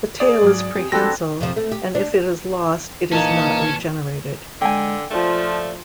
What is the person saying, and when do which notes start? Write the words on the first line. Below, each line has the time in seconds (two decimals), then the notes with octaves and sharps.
The tail is prehensile and if it is lost, it is not regenerated.
0.20 G#4 D5 D#6
0.41 G#2 F#3
0.75 C4 G4
0.92 F3 C4 D4 F#4 G4 A4 B4 A#6
1.41 F2 C3 F3
1.56 A3
1.72 G4
1.95 D4
3.12 A#2 E3 A#3 C#4 D#4 A5
4.62 D3 G#3 G5 G#5
5.11 F3 A3 D5